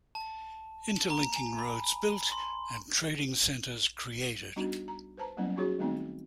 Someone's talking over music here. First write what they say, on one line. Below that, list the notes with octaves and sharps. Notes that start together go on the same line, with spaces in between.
Interlinking roads built and trading centers created.
A5
A#5
G#5
B5
C6
G3 B3 D4 D#4 F#4
A#5
B4 C5 A5 A#5
F#3 G3 A#3 B3 C#4 E4
C#4 D#4 F4 F#4 G#4 C#5
D#3 G3 A3 B3 C4 D#4